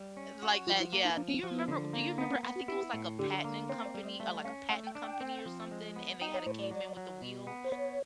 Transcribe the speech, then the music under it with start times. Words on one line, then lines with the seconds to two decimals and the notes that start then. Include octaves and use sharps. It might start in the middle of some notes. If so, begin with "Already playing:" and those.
Like that, yeah. Do you remember do you remember I think it was, like, a patenting company or, like, a patent company or something, and they had a caveman with the wheel,
Already playing: G3
0.17 C#4
0.42 F#4
0.67 F3 F4
0.80 E4
0.93 A#3
1.05 D#4
1.17 F3 D4
1.28 C#4
1.34 C4
1.43 F3
1.51 B3
1.68 D3
1.93 A#3
2.18 B3 C4
2.30 C#4
2.43 B3
2.56 F#4
2.68 E4 G4
2.94 A2
3.19 D3 G4
3.44 A#3
3.69 C4 C#5
3.86 D5
3.94 G3
4.03 D#5
4.20 A3 E5
4.45 C#4 F5
4.69 A3 F#5
4.87 G5
4.95 D4
5.04 G5
5.21 C4
5.46 F3
5.71 G#3
5.96 B3
6.21 D#4 G5
6.34 C#5
6.46 A2 C5
6.59 D5
6.71 F#3
6.97 F#3
7.22 B2
7.47 B3
7.64 C5
7.72 B3 C#5